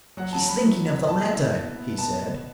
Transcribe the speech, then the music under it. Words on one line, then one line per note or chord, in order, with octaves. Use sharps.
"She's thinking of the letter," he said.
F#3 F#5
A5
C#4
B5
E4
F#3
B2 A5
E4 E5
B3
B3
B2 A5
B2